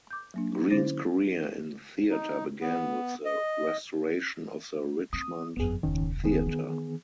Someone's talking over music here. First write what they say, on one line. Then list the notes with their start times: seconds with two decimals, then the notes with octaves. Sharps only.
Greene’s career in theatre began with the restoration of the Richmond Theatre.
0.11 D6 G6
0.34 F#3 A#3 D4
0.70 D3 C#4 E4 C5 A6 A#6
2.11 D#4
2.61 B3
3.25 D#5
5.13 C4 D#6
5.57 G1 F2 B3 G#4
5.83 E1 C#2 G#2 D#3 C#4
6.24 D#3 B3 G#4
6.46 E3